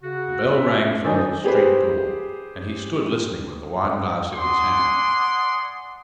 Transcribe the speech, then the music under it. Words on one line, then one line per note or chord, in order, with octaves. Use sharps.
The bell rang from the street door, and he stood listening with the wine-glass in his hand.
C#3 F#4
C#4 F4 E5
D#3 F#3 D4 A4 C5 D#5 G#5
G4 G#4 B4 C5
D5 F#5 G#5 C6 D6 D#6